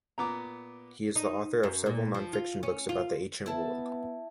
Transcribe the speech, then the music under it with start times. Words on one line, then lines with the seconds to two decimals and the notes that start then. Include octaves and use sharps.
He is the author of several non-fiction books about the ancient world.
0.18 A#2 B3 A#5 D6
1.16 D#4
1.63 F#2
1.86 A#2
2.14 F3
2.33 F4
2.63 C#4
2.89 F4
3.46 B3 E4 A5